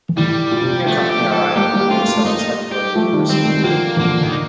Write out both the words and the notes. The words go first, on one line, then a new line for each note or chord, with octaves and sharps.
The beer company Orion Breweries has its headquarters in Urasoe.
A2 G3
A#2
C3
A#2
D3 F3 A3
G4
F3 A3
A4
G3 A#3 G4
G3 A#3
A3 C4 F4
A#3
A3
G3 A#3 D#4
G4
F3 A3
D#3 G3
D#3 G3 C4
A3
D#3 G3
G3
D3 F3 A#3
A#2 D3 A#3
D#4